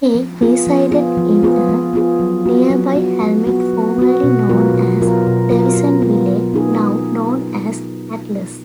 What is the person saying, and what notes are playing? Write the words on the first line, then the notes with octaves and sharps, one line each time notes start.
He resided in a nearby hamlet formerly known as Davisonville, now known as Atlas.
F3
B3 F4 G#4
F3
B3 F4 G#4
F3
B3 F4 G#4
F3
B3 F4 G#4
F#3
B3 F#4
F#3
B3 F#4
F#3
B3 F#4
F#3
B3 F#4
B2
F#3 B3 F4 A#4
B2
F#3 B3 F4 A#4
B2
F#3 B3 F4 A#4
B2
F#3 B3 F4 A#4
F#3
B3 D#4 G#4